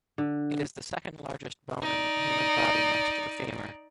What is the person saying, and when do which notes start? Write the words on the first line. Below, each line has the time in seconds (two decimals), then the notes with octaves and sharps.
It is the second largest bone in the human body next to the femur.
0.18 D3
1.82 D#4 D5